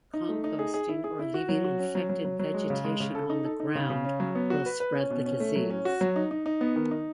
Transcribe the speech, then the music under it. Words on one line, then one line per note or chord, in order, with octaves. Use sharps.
Composting, or leaving infected vegetation on the ground will spread the disease.
D#4
A3
D#4
G#4
G#4
E4
G#4
E4
F#4
F#3
F#4
C#4
F#3
F#3
F#3
F#3
G#3
C#3
G#3
C#3
A4
D#4
A4
D#4
C#3
C#3
C#4
F#3
B3
F#4
B4
B4
C#4
B2
C#4
A3
F#3
C#4
F#4
F#3
D#4
D#4
D#4
B3
D#3
D#4